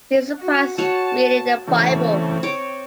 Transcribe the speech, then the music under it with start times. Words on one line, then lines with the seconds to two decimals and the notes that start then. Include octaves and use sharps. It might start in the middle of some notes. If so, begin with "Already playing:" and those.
She is surprised reading the Bible.
0.39 F#4
0.78 F#4 C#5 A5
1.67 C#3 E3 A3 C4
2.43 C#5 D6